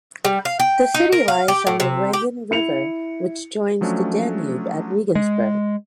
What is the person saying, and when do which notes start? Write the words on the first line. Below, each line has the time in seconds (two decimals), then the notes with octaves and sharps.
The city lies on the Regen River, which joins the Danube at Regensburg.
0.25 G3
0.45 F5
0.60 G5
0.94 D#4
1.12 A#4
1.28 F5
1.48 G4
1.67 A2
1.80 C3
2.13 G4
2.51 E4 C#7 F7
3.81 F3 F#3 A3 C#4 D4
5.15 G#3